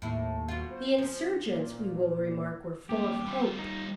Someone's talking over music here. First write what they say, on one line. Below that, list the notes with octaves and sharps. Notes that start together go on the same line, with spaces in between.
The insurgents, we will remark, were full of hope.
D#2 A2 E4
B2 F4
C5
F3 C#4
A#2
D#2 A#2 G4
G3 F4
D#4